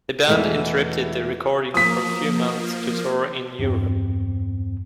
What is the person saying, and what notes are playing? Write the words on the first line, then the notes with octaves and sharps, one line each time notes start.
The band interrupted the recording for a few months to tour in Europe.
E2 B2 D#3 E3 G#3 A3
F3 A#3 D#6 B6
E2 G2 C4